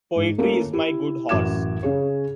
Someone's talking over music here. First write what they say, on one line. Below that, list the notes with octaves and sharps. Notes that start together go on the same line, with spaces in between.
Poetry is my good horse.
G#2
A3 A#3 C#4 F4 A4 A#4
E4 G4
A1 F#2 F#4 D6 G#6 E7
C#3 G#4 C#5